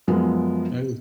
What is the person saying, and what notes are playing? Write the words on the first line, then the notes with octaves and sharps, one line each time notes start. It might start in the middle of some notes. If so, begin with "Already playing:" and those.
that is.
F#2 F3 G#3 B3